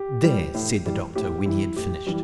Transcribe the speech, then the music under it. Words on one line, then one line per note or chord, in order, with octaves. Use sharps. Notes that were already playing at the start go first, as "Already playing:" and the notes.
"There!" said the doctor when he had finished.
Already playing: G4
G3
A2
E3 G3
A2 G4
E3 G3 E4
A2 G4
E3 G3 G4